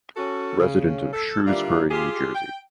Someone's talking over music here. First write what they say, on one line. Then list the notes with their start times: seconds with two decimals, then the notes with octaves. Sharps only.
Resident of Shrewsbury, New Jersey.
0.17 C#4 F#4 A4
0.60 C#3
1.13 A4
1.47 D3 G3 A#3 D4 E4 F4
1.91 F4 G4 G#4
2.35 G5